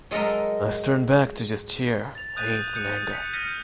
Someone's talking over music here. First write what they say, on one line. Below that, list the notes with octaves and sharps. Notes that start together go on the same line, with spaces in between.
It's turned back to just sheer hate and anger.
F#3 G#3 A4 A#4 D#5 E5
A6 F7
D#6 F#6 G6 A6 D#7
D#6 G6 C#7
A6 B6 C#7
F6 G6 A#6 B6 C#7 D#7